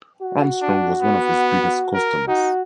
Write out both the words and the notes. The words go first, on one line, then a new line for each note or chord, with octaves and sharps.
Armstrong was one of his biggest customers.
F#4
D4
B3
A#4
D#4 F#4